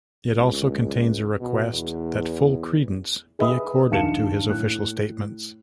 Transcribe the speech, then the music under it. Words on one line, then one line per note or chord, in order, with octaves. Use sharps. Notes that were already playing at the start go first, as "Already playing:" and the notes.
It also contains a request that full credence be accorded to his official statements.
C#2
B2
E2
G#4 B4 D#5 E5 B5 D#6
A#1 D#2 F5 A5 C#7 E7
A2 F#6